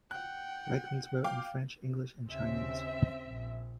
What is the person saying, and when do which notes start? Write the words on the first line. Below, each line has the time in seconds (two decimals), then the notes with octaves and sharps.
Ryckmans wrote in French, English and Chinese.
0.11 F#5 G5 F#6
1.24 F5 G5 D6
2.29 D#2 C#3 C4 E5
3.26 A#1